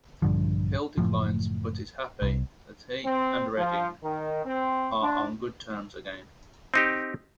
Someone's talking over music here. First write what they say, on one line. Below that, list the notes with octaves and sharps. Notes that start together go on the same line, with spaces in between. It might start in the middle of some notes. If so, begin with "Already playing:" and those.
Hill declines but is happy that he and Redding are on good terms again.
A#1 G2 D3 F3
F#1 C#2 A2 F3
C2
C4
F3
D#3
C4
D4
C4 D#4 G4